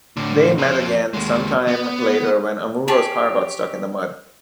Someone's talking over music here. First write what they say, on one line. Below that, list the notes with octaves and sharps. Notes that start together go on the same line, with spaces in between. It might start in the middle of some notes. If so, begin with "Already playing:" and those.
They met again sometime later when Amuro's car got stuck in the mud.
A2 D3
F3 C4
D#2 G#3
B3
G4 G#4 C#5 A5